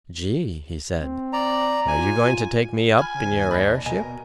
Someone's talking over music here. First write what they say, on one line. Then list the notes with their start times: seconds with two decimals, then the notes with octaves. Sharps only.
"Gee!" he said, "are you going to take me up in your airship?"
0.95 C4
1.33 D5 A#5
1.88 F4 G#5
2.99 G#5 B5 F6
3.15 C#3
3.31 D#2
3.51 D4 D#5 B5
3.86 B2 A#4 D#5 G#5